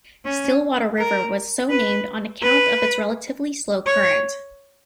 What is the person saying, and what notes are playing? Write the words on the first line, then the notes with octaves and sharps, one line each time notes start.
Stillwater River was so named on account of its relatively slow current.
C#4
A#4
B4
B4
C#5